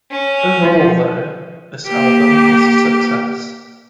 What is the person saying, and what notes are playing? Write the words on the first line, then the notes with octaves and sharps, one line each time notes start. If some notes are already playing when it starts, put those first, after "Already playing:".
Overall, though, this album is a success.
C#4
F3
A#3 G4